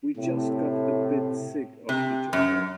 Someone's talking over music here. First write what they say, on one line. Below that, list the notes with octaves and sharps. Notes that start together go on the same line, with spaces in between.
We just got a bit sick of each other.
A2 C3
C3
F#2